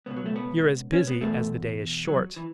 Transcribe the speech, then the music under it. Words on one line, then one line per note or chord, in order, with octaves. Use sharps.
"You're as busy as the day is short!"
C#2 B2 B3
F#3
A3
B3
C#4
B3
E2 B2 A3
F#3
E3